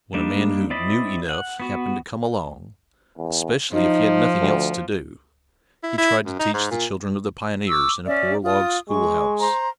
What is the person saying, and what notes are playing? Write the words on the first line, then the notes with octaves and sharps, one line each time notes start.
When a man who "knew enough" happened to come along, especially if he had nothing else to do, he tried to teach the children of the pioneers in a poor log schoolhouse.
G3 A#3 D4 D#4
C4 E4 D5 D#5 B5
F#5
B3 F#4
E2
F3 D#4
D2
E4
E4
F#2
D#4
G#2
A#2
C#6 D6 E6
C#4 D5 E5
F4 D#6
G#3 C#6
C5 A#5 C6